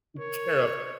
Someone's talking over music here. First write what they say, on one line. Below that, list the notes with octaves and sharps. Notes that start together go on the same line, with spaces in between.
take care of.
A#4 C#5